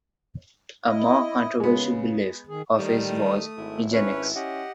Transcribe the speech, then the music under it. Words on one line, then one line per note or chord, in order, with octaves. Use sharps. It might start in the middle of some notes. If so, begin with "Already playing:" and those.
A more controversial belief of his was eugenics.
E4 D#5
C#3 G#3 B3
D#3 G#4
D#3 G3 A3 D#6
G#1 E4
C#4 B4 C#5
C#4 G4 D#5 F#5